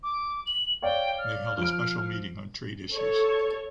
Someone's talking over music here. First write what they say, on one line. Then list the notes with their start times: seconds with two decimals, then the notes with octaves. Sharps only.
They held a special meeting on trade issues.
0.03 D6
0.46 F#7
0.82 C#5 D5 F5 G5
1.18 F6
1.58 F3 D7
2.94 A4 C#5